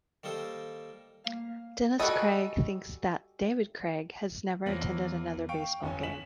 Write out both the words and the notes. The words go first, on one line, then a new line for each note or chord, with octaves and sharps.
Dennis Cregg thinks that David Cregg has never attended another baseball game.
D#3 G3 A#3 A4 C5
A#3 F5
G3 F#4 G#4 A4 D#5
E2 F3 A#3 C#5 A#6 F#7
F5 G5 C#6 D7
G1 C#4 G#5
B6 E7 F#7